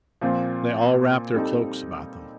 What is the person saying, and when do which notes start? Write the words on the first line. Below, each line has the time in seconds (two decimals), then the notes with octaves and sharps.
They all wrapped their cloaks about them.
0.21 A#2 F3 C4 F4 C5
1.34 G3 C4 D#4 A4